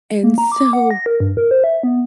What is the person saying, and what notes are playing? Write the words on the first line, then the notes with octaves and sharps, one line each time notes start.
And so
A#3
A#5
D6
F#5
A#6
A#4
G2
A#4
C5
E5
B3